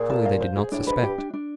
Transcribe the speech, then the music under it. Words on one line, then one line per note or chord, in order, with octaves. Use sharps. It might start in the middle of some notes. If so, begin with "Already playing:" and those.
Surely they did not suspect!
Already playing: A#2 G#4
A5
F5
C5
G#4
A2 D4
G#2 B4
F#2
G2 G4
D4
D4